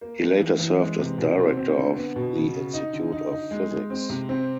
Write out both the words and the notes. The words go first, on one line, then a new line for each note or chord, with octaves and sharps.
He later served as director of the Institute of Physics.
A#3
F3
E3
E3
G#3
C3
B2
C4
C4
D3
B3
B2
C#3
C#3
D#4
D3
D#4
D#4
G#3
G#3
C4
C3
C4